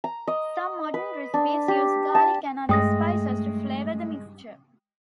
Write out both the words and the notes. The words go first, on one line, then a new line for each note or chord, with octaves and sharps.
Some modern recipes use garlic and other spices to flavour the mixture.
A#5
D#5
B4
D4
G4
A5
G2 G#3 A3 G5 D#6 A#6